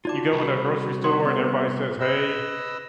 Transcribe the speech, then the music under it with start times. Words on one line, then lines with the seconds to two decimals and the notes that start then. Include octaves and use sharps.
you go in a grocery store, and everybody says hey.
0.05 D#4 F4 F#4 D5 A5 D6
0.33 C2 B5 C#6
1.04 C#5 F#5 C6
1.24 B3
2.00 B4 D#5 E6